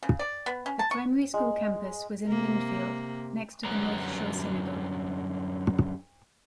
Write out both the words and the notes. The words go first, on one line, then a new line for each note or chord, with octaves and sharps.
The primary school campus was in Lindfield, next to the North Shore Synagogue.
C#3
D5
B3
C#4
A5
C#6
G#3
C3 A#3
F#2 D3 G3 B3 A#5